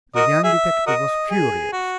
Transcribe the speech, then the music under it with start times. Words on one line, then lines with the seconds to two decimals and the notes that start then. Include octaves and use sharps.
The young detective was furious.
0.16 F#4 A#4 D#5
0.44 G#4 E5
0.87 F#4 A#4 D#5
1.30 G#4
1.73 F#4